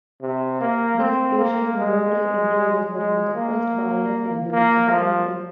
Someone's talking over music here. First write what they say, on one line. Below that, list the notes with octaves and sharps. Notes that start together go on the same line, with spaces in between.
These spacious, moated enclosures were among the first bar-less exhibits in the country.
C3
A#3
C4
A#3
G#3
G#3
A#3
A#3
F3